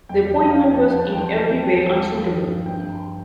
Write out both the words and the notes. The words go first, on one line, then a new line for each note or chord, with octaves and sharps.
The appointment was in every way unsuitable.
F2 G5
F2
F2
F5
F3 G5
A5
F3
G5
F3 A5
E3 G5
G3
A5
E3
F3 G5
A5
F3
G5
F3
F3
G2
F3
G2 G5
G2